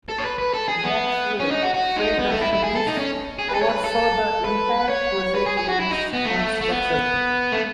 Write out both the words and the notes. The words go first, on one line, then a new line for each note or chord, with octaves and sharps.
Maxwell, a friend of Phillips, oversaw the entire project and its construction.
A4
C#5
B4
B4
A4
G#4
B3
C#4
D#4
F#4
F#4
D#4
B3
A3
E4
E4
G#4
A4
D#4
C#4
G#4
B4
A4
C#5
B4
A4
B4
C#5
B4
G#4
G#4
F#4
E4
D#4
B3
A3
A3
B3
A3